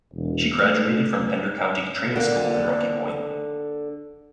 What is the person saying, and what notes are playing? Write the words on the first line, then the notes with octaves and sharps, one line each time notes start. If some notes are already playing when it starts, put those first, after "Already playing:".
She graduated from Pender County Training School in Rocky Point.
E1
A3
D3 A#3